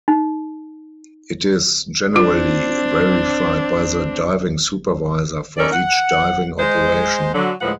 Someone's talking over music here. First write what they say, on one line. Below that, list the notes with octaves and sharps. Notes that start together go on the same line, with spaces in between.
It is generally verified by the diving supervisor for each diving operation.
D#4
C4 D4 F4
D#3 C#4 A4 A#4 C#5 D5
F#5
G#3 C5
D3 F#3
D2 A2 F3 G#3 B4 F#5